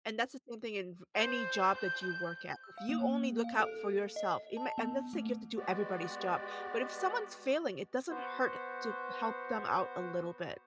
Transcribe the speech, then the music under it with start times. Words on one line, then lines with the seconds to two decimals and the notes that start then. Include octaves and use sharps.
And that's the same thing in v any job that you work at. If you only look out for yourself, it may I'm not saying you have to do everybody's job. But if someone's failing, it doesn't hurt to help them out a little bit.
1.16 C5
1.76 G6
2.64 E6
2.78 F5
2.89 A#3
3.44 F5
3.60 A4
4.16 D#5
4.57 A5
4.78 B3
5.13 A3
5.57 G#3 B3 F#4 G4 D5
8.10 B3 F#4 C5